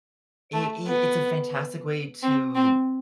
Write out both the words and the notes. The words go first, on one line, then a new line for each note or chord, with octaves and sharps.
It it it's a fantastic way to
A3
B3
C4
C4